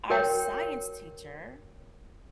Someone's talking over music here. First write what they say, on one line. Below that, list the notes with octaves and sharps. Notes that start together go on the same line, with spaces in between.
our science teacher
F#4 A#4 C#5 G5